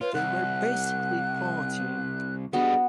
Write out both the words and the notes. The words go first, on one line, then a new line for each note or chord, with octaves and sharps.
They were basically partying.
F4 B4 C#5
C2 F#5 F#6
G3 B3 D4 F#4 G#4 D#5